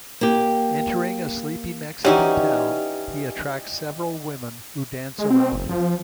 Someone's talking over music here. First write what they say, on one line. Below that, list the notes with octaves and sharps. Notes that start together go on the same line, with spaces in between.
Entering a sleepy Mexican town, he attracts several women who dance around him.
A#3 G4
E3 C#4 D#4 F#4 G4 D5 D#5 G5
G#3
C4
F#1
F3